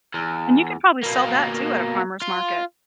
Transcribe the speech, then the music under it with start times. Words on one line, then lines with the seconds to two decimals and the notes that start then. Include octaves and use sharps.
and you could probably sell that too at a farmer's market.
0.14 E2
1.03 B2 A#3
2.22 F4